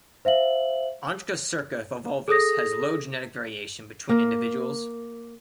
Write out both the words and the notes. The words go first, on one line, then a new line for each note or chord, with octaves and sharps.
"Onchocerca volvulus" has low genetic variation between individuals.
C5 E5 F5 F#7
G#4 A4 D#6 A#6
A#3